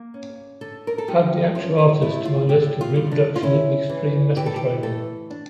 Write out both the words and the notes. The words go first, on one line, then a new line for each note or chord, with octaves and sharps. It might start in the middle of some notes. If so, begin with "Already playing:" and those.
Ad the actual artist to my list of reproduction of extreme metal training.
Already playing: A#3
C#4
D3 A4
A#4
A4
F3 G4
C#4 F4
E4
A2 E4
F4
A2 G4
F4
G3
D4
F4
C#4 E4
E3
E3 G4
A4
G4
A3 A4
D4